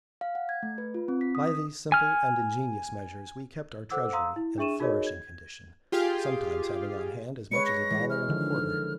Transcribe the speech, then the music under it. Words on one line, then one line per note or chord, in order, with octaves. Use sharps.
By these simple and ingenious measures we kept our treasury in a flourishing condition, sometimes having on hand as much as a dollar and a quarter.
F5
F#5
G#6
A3
B4
F4
C4
B6
D#6
D#6
G#5 F6
A4 C5 F#5 D6 E6
F5 A#5 C6 D#6 E6
E4
D4 G#4 E5 C#6 D#7 E7
D#4 F#4 G#4 A#4 C#5 D#5
G#6
F4 G4 G#4 F5
G#3 B4 C#5 C#7
A#6
E3 G#3
F6
D3 D#3 F3